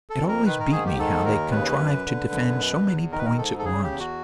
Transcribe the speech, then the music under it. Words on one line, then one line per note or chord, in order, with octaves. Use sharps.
It always beat me how they contrived to defend so many points at once.
A4
F2
A#4
D#3 B4
A#4
G#2 G#4
G4
D#3 A4
D#2 A#4
C#3 B4
F#2
D3
F#2
B2
E2
D#3 A#4
B4
A#4
G#2 A4
A4
C#3 G#4
G4
E2
F#4